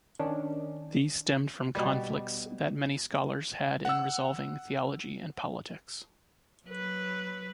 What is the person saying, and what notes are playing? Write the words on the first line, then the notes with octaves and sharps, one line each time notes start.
These stemmed from conflicts that many scholars had in resolving theology and politics.
D#3 C#4 D4
B2 G3
F#5 E6
F#3 B4